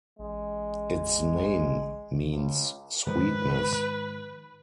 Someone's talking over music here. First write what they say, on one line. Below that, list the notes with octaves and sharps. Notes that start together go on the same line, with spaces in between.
Its name means "sweetness".
A1 G#3
C#2
G#2 D#3 F3 B4